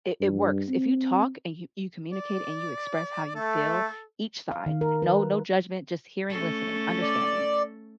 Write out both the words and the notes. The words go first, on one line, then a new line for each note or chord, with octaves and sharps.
it it works, if you talk and y you communicate and you express how you feel, each side, no no judgment, just hearing, listening, understanding,
G2
C4
D5
A3 A4
F5
D#3
A#4
B4
A3 C#4 A4
D5